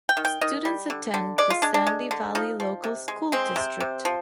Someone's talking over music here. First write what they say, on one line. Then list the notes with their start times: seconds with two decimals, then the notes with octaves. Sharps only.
Students attend the Sandy Valley Local School District.
0.09 G5
0.17 D#3
0.25 G5
0.41 D#3 D#5
0.65 G3
0.90 D3
1.14 D3
1.38 G#3 D5
1.50 F4
1.62 G#3 D4
1.74 D4
1.87 G#3
2.11 D3
2.35 F3 D#4
2.60 F3
2.84 C3
3.08 G#3
3.32 G#3 C4
3.56 C3
3.80 C3
4.05 F3